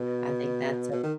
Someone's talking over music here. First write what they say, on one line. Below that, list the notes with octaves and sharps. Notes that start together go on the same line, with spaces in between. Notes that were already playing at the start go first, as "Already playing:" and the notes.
I think that's a
Already playing: B2
B2
D#3